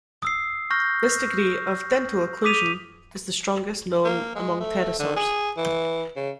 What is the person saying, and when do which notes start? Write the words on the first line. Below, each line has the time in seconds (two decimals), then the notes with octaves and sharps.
This degree of "dental occlusion" is the strongest known among pterosaurs.
0.23 D#6 E6 C7
0.70 C#6 F6 G6 A#6
2.44 D6 D#6 B6 D#7 F7
4.04 A#3
4.35 G#3
4.60 A3
4.99 D3
5.16 G#4
5.57 E3
6.16 C#3